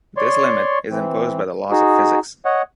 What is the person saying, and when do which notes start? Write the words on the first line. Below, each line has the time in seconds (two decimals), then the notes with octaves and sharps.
This limit is imposed by the laws of physics.
0.17 C#5 D5 C6 C#6
0.91 E3 C4
1.71 D#4 F#4 G#4
2.45 C#5 D#5 F#5